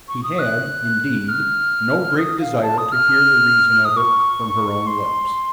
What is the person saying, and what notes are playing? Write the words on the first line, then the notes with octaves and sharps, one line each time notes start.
He had, indeed, no great desire to hear the reason of it from her own lips.
C#6
D#6
F#6
F6
D#6
F5
A5
D#6
F6
D#6
C#6
C6